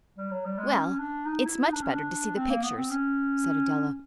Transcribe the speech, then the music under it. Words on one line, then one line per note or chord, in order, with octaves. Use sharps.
"Well, it's much better to see the pictures," said Adela.
G3
F#3
G3
G#3
C#4
D4
D#4
E4
D#4
D4
C#4
D4
C4
A#3
B3
C4
C#4